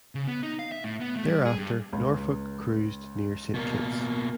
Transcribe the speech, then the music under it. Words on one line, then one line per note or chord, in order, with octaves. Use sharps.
Thereafter "Norfolk" cruised near Saint Kitts.
C#3
B3
D#4
F5
E5
A2
B3
A3
G3
G#4
G2
C#2
B2 A#3